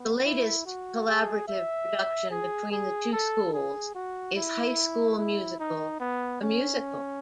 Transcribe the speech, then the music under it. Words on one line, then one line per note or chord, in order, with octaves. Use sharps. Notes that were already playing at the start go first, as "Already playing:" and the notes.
The latest collaborative production between the two schools is High School Musical: The Musical!
Already playing: B3
E4
F#4
G#4
E5
G#4
G#4
A4
G#4
F#4
E4
E4
D#4
B3
C#4